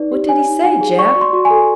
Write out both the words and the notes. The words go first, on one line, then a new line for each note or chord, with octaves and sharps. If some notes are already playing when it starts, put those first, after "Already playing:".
"What did he say, Jap?"
Already playing: D#4 B4 D5
G4
C#5 G#5
D#4
D#4 G#5
G#4
D5 C#6
F#4
C6
F#4
G#5
A4